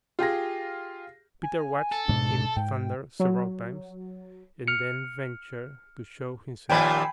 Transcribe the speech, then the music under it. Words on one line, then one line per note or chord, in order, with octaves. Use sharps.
Peter watched him thunder several times and then ventured to show himself.
F4 G4 G#4 A#6
G#5
A4
D2 G#2 B2 D4
G#2 G5
F#3
F6 C#7
D#2 A#2 F3 G5 G#5 B5